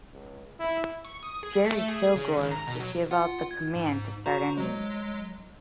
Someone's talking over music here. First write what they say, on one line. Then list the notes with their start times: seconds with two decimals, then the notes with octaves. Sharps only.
Jerry Kilgore would give out the command to start engines.
0.12 C#2
0.60 E4
1.05 C#6
1.23 D#6
1.43 G#4
1.65 A3
1.88 G#4
2.16 C#3
2.36 G#1
2.51 A#5
2.67 B2
2.80 F#3
3.11 F4 F#5
3.51 G#6
3.76 G#2
4.26 F#4 C5 A#5
4.58 F#3 G#3